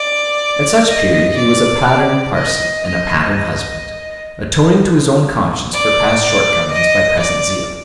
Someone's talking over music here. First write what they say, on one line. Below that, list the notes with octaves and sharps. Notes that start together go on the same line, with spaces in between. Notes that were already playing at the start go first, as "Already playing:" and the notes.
At such period he was a pattern parson and a pattern husband, atoning to his own conscience for past shortcomings by present zeal.
Already playing: D5
D#5
D5
D5
D#5
D#5
D#5
D5
D5
D#5
D5